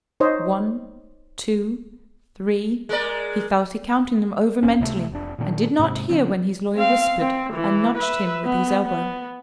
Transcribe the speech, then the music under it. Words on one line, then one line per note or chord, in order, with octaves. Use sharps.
One, two, three--he fell to counting them over mentally and did not hear when his lawyer whispered and nudged him with his elbow.
D#4 C5 C#5 D#5
G#3 A#4 D5
F1 A#3 C4 C#4
C#2 C3 D#3 A3
F1 D4
A#2 D#3 C#4 D4
G#2 C3
C#3 F3 C4
C4 F5
C4
E3
B4 E5
B3
B3